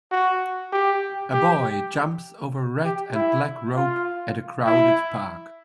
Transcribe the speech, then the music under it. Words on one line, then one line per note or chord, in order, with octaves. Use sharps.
A boy jumps over a red and black rope at a crowded park.
F#4
G4
G4
G4
E4
F4
E4